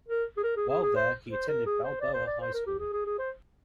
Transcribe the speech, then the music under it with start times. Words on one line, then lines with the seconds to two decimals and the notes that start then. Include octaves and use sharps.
While there he attended Balboa High School.
0.08 A#4
0.37 G#4
0.43 A#4
0.57 G#4
0.69 G#4
0.82 G#4
0.96 C5
1.31 C5
1.48 A#4
1.66 G#4
1.84 C5
2.01 D5
2.14 C5
2.27 D5
2.41 C5
2.53 A#4
2.66 G4
2.79 G#4
2.93 G#4
3.05 G#4
3.19 C5